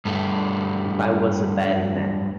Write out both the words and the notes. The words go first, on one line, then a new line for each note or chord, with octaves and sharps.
If I was a betting man.
G2 A3